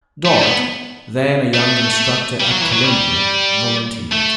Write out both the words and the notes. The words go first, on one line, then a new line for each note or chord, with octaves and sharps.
Dodd, then a young instructor at Columbia, volunteered.
A3
G3
A3
B3
A3
G3
F#3
E3
F#3
G3
A3